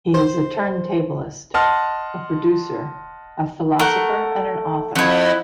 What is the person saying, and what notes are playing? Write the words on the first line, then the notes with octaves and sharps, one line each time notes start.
He is a turntablist, a producer, a philosopher, and an author.
C5
D#5 F#5 A5 C6 F6
A3 A#4 F#5
F2 E4 F#5